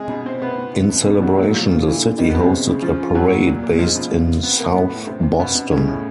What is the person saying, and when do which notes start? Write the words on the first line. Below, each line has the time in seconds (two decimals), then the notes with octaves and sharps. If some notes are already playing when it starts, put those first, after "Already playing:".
In celebration, the city hosted a parade based in South Boston.
Already playing: C3 G#3 G#4
0.09 B2
0.26 C3 C4 C5
0.42 C3 B3 B4
0.58 C3
0.73 C3
0.89 B2
1.06 B2
1.22 F#3 G3 F#4
1.38 A#2 F#3 F#4
1.54 A#2 F3 F4
1.71 A#2
1.86 D3 E3 E4
2.03 D3
2.18 D#3 G3 D#4
2.29 B3
2.34 B2
2.40 C3 C4
2.50 C#3
2.67 C#3
2.82 C#3 F3 F4
2.98 C#3
3.10 F4
3.15 F#3 G3 F#4
3.31 A#2
3.47 A#2
3.64 A#2
3.78 F3 G#3 F4
3.96 B2
4.12 C3
4.27 C3
4.43 C3 B3
4.59 C3 A#3
4.75 A2 B3
4.92 A2
5.07 C3 C4
5.23 C3
5.39 B2 B3
5.55 B2
5.72 A2 C#3 C#4
5.88 A2